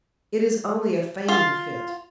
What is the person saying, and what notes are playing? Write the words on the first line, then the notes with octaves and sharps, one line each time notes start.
"It is only a fainting fit."
F4